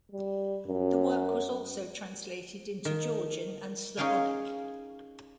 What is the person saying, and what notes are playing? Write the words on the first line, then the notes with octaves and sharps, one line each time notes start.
The work was also translated into Georgian and Slavonic.
G3
F#2
D#3
C#4 D#4 G#4 F5 G5 G#5